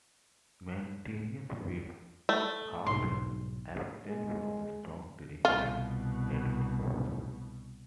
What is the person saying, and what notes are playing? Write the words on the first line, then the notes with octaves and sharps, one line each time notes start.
Mandaeans will, however, abstain from strong drink and red meat.
A3
B1 G#2 C6
G#3
C2 B2 F4